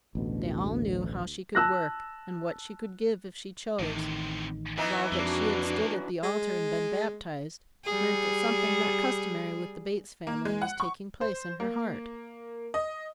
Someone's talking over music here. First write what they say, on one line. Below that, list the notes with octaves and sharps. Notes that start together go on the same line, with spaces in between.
They all knew how she could work, and what she could give if she chose; while that she had stood at the altar and been baptized, meant that something not customary with the Bates family was taking place in her heart.
A1 D2 B2
A5 E6 F#6 A#6
A1 A2 C3 D#3
F#2 E3 B3 D#4
F2 G#3 A#3 D4 F#4
G#3
G3 G#4
A#3
G#3
F#5
C#6
C5
A#3
D#5